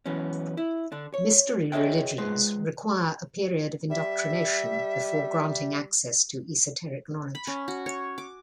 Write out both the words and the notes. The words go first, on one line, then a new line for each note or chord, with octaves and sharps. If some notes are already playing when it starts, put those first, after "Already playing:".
Mystery religions require a period of indoctrination before granting access to esoteric knowledge.
E3 F#3 B3 C#4
E4
D3 D4
C#5
F#4 G#4 C#5 D#5 E5 G5
G#3 F4 B4 C5
G3 E5
B5
C#4
F#4
C#5
D6